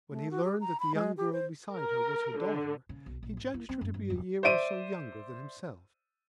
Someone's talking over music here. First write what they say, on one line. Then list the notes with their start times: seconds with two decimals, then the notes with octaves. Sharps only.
When he learned that the young girl beside her was her daughter he judged her to be a year or so younger than himself.
0.11 A3
0.31 F#4
0.44 G4
0.60 A#5
0.80 B5
0.94 G#3
1.17 G4
1.33 C5
1.75 A#4
2.38 D3
2.89 C#3
3.06 B1
3.23 A#1
3.37 G#2
3.54 E4
3.69 C4
3.81 F#2
3.94 G2
4.10 E1
4.43 C5 D5 E5 D7 D#7